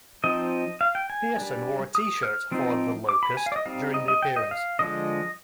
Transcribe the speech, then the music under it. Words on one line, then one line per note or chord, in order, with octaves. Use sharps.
Pearson wore a T-shirt for The Locust during the appearance.
F3 C4 D#4 D#5
F5
G5
G#5
G3 D4
D#6
F6
F3 C4 D#4
D6
B5
G#5
F5
D5
D#5
G3 C4 D#4 F5
D#5
D#5
G5
D#5
F5
D3 F3 G#3 D#5